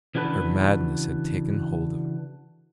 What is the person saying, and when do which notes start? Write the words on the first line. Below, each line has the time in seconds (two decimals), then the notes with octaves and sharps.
Her madness had taken hold of her.
0.15 C#3 E3 D4 F#4 A4 B4